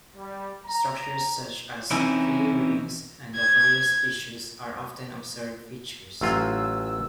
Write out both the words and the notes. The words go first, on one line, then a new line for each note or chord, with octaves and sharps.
Structures such as tree rings and the various tissues are often observed features.
G3
A#5
E3 C4 C#4 D#4 E4
G#6
A1 F#3 F4 E6